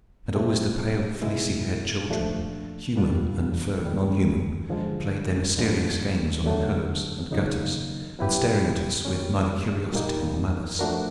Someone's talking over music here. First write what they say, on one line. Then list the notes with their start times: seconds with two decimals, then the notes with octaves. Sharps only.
And always the pale fleecy-haired children, human and furred nonhuman, played their mysterious games on the curbs and gutters and staring at us with neither curiosity nor malice.
0.35 B2 F#3 A3 C4
1.22 C2 B2 G#3 B3 E4
2.09 A#2 F3 A3 D4
2.96 B2 G3 B3 D4 F4
3.83 D#2 D#3 G3
4.69 G2 D3 F3 G#3
5.57 D2 D3 F3 G#3 B3
6.44 D3 F#3 A3 D4
7.31 D#2 C#3 F#3 A#3 D#4
8.19 F#3 B3 E4 G4 B4
9.05 D#3 G3 A#3 C#4
9.92 A#2 G3 A#3 D#4
10.79 F3 A3 D4 F#4 A#4